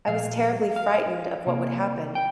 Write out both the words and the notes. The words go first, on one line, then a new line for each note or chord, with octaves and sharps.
I was terribly frightened of what would happen.
A#2 F3 A#3 F5
F5
C3 A#3
G5